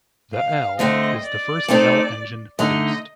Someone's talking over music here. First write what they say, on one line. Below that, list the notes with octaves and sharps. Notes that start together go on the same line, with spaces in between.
The L is the first L engine produced.
F5
D3 A3 C4 D#5
D5
A3 C4 D#4 A4
D3 A3 D#4 D#5